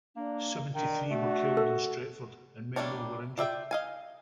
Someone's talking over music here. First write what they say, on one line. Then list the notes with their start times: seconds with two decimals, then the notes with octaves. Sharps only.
Seventy-three were killed in Stretford, and many more were injured.
0.16 A#3 D4
0.75 D#3 D4
1.11 A3 F#4
1.57 A4
2.76 G3 A3 A#3 D4 C#5
3.38 F4 D5 E5 G5
3.71 D#5 F5 G#5